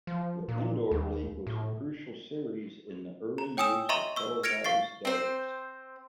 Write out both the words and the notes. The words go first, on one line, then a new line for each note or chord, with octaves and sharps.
The Indoor League was a crucial series in the early years of televised darts.
F3
A#2
D#2
A2
A#5
C#5 G5 G#5 D#6 E6 E7
D#5 E5 A#5 C6 C#6 D#7
C#6 E6
F6 G#6 A#6 C#7 D7 F7
F5 C#6 A6 C7
C4 C5